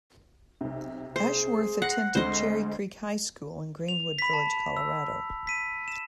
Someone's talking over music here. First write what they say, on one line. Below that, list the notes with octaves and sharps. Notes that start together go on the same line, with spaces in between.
Ashworth attended Cherry Creek High School in Greenwood Village, Colorado.
B1 C3
G#4 C5
F#5 A#6 C7
D2 D3 G#3 C4 C5 D#5
F7
B5 B6
A5
E6
B6 D#7
E7